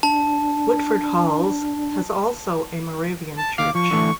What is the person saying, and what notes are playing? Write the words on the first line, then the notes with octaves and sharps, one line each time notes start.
Woodford Halse has also a Moravian Church.
D4 A5
A5
D#2 F5 D6
F3 C#6
D3 E3 A3